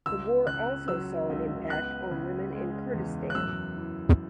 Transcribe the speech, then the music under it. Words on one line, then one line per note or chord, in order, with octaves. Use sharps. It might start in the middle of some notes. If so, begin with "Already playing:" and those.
The war also saw an impact on women in Kurdistan.
C#2 E6
C#3 F#6
F#3 E6
C#2
B3 F#6
C#3
G#3
E2
F#6
F#2 E6
E3